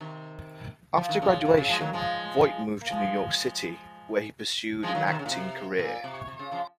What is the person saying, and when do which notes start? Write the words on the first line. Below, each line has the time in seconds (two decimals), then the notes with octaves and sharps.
After graduation, Voight moved to New York City, where he pursued an acting career.
0.01 C3 D#3
0.97 F3
1.09 D#3
1.22 C#3 F3
1.45 C3
1.57 C#3
1.69 F3 G#3
1.81 D#3 F#3
1.93 F3 G#3
2.81 A#3
2.90 F3 G#3
4.83 F3 G#3
4.95 D#3 F#3
5.07 C3 D#3
5.19 C#3
5.26 A#2
5.31 C3
5.79 A#2
6.04 C3
6.28 C3
6.39 C#3
6.51 C#3 F3